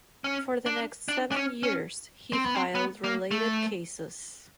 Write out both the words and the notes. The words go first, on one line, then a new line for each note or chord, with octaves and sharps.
For the next seven years he filed related cases.
C#4
D4
D4
D4
C#4
C#4
C4
B3
C4
B3
A#3
A3